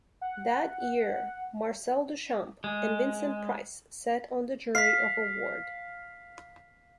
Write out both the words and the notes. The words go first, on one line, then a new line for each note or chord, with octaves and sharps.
That year, Marcel Duchamp and Vincent Price sat on the jury of award.
F#5
G#3
F5 B6 C7